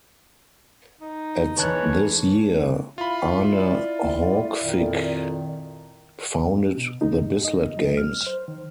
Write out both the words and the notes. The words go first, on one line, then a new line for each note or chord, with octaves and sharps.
At this year Arne Haukvik founded the Bislett Games.
D#4
E2 E3 B4 C#5 A5 F#6
E4 F4 B5
D5
F2 A#2 D#3
B2
D#4
F#2
D#5
F#3
F6
C5
D#3